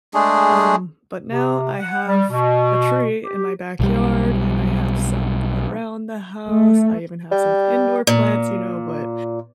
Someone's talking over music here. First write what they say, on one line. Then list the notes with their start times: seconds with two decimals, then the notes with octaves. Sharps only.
Um, but now I have a tree in my backyard, and I have some around the house. I even have some indoor plants, you know, but
0.14 G#3 A3 D4 G#4
1.29 C3
1.79 F#5
2.07 G3
2.31 B2
3.24 G4
3.80 B1 G3
6.49 A3
7.31 G3
8.07 A#2